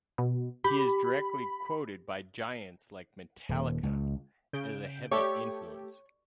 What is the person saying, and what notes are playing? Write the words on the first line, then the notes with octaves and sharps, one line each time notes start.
He is directly quoted by giants like Metallica as a heavy influence.
B2
G4 B5
D#1
C#2
C#3 G6 D7
A3 G4 A4 C#5